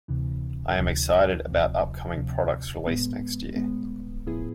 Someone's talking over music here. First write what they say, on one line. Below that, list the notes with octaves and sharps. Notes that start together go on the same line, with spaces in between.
I am excited about upcoming products released next year.
D2 C3 E3
D2 C3 E3
D2 C3 F3
D2 C3 F3
A2 G#3 B3
A2 G#3 B3
A2 F3 B3 E4 G#4